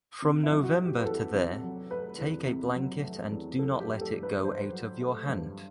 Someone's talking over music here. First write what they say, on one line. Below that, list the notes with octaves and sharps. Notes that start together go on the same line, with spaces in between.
From November to there, take a blanket and do not let it go out of your hand.
C3
E4
F#3
E4
F#4
A3
G4
B4
E2 A4
C3
F#3
A3 B4
E2
C3
F#3
A3
E2
F#3 A4
G4
A3
A4
G2
B4
G2 C5
F#3
A3
G2